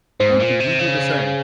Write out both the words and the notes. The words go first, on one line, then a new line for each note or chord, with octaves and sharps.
Thank you. You do the same.
G#2 C5
A#2
C3
C#3